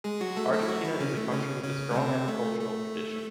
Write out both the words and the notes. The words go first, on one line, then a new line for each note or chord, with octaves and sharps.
Argentina is a country with a strong agricultural tradition.
G#3 G#4
F#3 F#4
A3 A4
A3 A4
E4
F#3 F#4
E3 E4
C#3 C#4
A3
C#3 C#4
C#3 C#4
A3
C3 C4
A3
A3